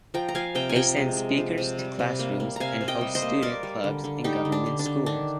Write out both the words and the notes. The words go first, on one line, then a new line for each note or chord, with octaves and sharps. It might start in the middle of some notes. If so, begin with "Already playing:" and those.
They send speakers to classrooms and host student clubs in government schools.
F3 G5 A#5
A#5
F3 F5 G#5
C3 G5 A#5
G#5
F3 G5 A#5
G#3
G#3
F3
C3
G3
C3
A#3
A#3
C3 F5 G#5 A#5
C3
D#5 G5
G3
C5 D#5
A#3
A#3 A#4 D5
G3
D3
D3
G3 D#4 G4
D3
D4
D3
D4
D3
D#3 D4